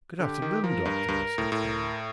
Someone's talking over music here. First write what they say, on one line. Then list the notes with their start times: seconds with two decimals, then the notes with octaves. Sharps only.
"Good afternoon, Doctor," I said formally.
0.20 D3 G4
0.42 D#3
0.64 F3 A#4
0.85 G2
1.08 G2
1.38 A2
1.52 A2 A#4